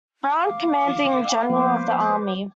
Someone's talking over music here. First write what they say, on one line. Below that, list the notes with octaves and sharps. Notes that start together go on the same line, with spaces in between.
Brown, Commanding General of the Army.
F5 D6
F3 A#3 B3 B4 C5 D6